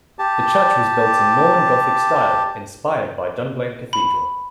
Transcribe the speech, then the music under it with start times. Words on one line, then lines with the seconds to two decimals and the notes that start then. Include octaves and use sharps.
The church was built in Norman Gothic style, inspired by Dunblane Cathedral.
0.19 G4 A5
3.93 B5